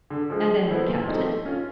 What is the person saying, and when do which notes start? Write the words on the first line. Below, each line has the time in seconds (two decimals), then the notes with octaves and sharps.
"And then kept it?"
0.10 D3
0.30 F3 G#3
0.50 G#3
0.68 B3 E4 A4 C5
0.88 A#2
1.07 F3 A3 C4 D#4
1.26 A3
1.45 C#4 F4